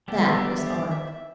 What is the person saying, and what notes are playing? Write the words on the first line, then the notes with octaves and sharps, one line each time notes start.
That is Art.
G3 B3 D4 G4 A4
B4
D5
E5
C5
D5
E5
E5